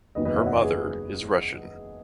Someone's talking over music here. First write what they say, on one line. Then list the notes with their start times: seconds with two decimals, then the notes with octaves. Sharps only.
Her mother is Russian.
0.15 F#1 E2 D#3 F#3 B4 D#5
0.25 B4 D#5
0.36 C#5 E5
0.46 D#5 F#5
0.61 G#4 B4